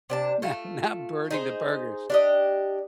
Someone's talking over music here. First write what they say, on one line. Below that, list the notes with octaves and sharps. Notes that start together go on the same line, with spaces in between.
not not burning the burgers.
C3 D4 A5
A3 F4
D#4 G#4 C5
D4 G4 D#5